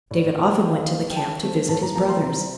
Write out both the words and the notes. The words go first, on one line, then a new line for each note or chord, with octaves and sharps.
David often went to the camp to visit his brothers.
A2 D5
F3 C4
D#3 G5
F5
D#5
A#3 F5
G5
D#3 A5
A3 C4
A2 A5
A#5
F3 A#3 A#5
C6
C3 A#5